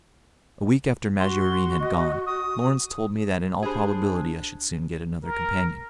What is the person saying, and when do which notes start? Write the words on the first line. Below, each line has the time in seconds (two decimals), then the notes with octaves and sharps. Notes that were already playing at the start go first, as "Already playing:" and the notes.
A week after Maggiorin had gone, Lawrence told me that in all probability I should soon get another companion.
1.19 F#4 C6
1.80 D#5
2.26 D#6
3.63 D4 G4 G#4 C5 B5
5.23 A#4